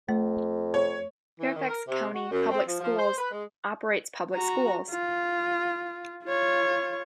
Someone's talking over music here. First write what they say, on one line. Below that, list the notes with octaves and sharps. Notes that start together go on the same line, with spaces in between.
Fairfax County Public Schools operates public schools.
F2 A3
C#5
E3
D#3
A#4
C3
F#4
F#2
C4
F3
F3
C5
B4
G#3
F#4 A#5
F4
F4 C#5